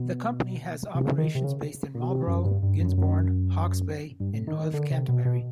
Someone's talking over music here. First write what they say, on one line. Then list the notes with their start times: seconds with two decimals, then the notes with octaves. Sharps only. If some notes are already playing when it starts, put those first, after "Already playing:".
The company has operations based in Marlborough, Gisborne, Hawke's Bay and North Canterbury.
Already playing: B2
0.95 C3
1.05 C#3
1.18 D#3
1.35 C3
1.44 C#3
1.95 A#2
2.02 B2
2.10 C3
2.27 F#2
2.45 G2
2.63 G2
2.80 F#2
2.98 F#2
4.20 G2
4.33 A2
4.47 D#3
4.60 D#3
4.74 D3
4.91 C3
5.08 B2
5.25 B2